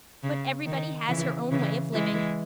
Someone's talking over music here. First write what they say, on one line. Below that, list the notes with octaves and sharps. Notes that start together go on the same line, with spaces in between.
But everybody has her own way of living . . .
C#3
D#3
C#3 E3
C#3 E3
E3 G#3